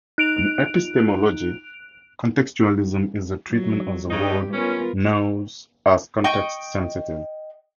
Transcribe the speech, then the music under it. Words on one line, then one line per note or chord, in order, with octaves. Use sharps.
In epistemology, contextualism is the treatment of the word 'knows' as context-sensitive.
D#4 F#6 D7 F7
F#3
G2 C#3 D#4 G4
B3 C#4 F4 A#4
D#5 G5 C#6